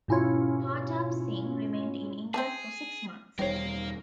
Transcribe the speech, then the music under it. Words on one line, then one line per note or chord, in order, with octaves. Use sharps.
Partap Singh remained in England for six months.
G#2 B2 C#4 E4 F4 C#5
C4 G#4 E5 A5
E1 D#3 G3 A#4 C5 C#5 F5